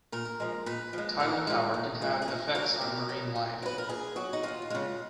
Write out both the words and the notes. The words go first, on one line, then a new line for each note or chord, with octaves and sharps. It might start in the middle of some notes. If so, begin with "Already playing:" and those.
Tidal power can have effects on marine life.
A#2 A#4
F3 G#3
A#2 B4
F3 G#3
A#2 A#4
F3 G#3
A#2
F3 G#3
G#4
A#2 A#4
F#3 A#4
A#2
F#3
A#2
F#3 B4
A#4
A#2 G#4
F#3 F#4
D#4
D#2 F4
C#3 G#3 F4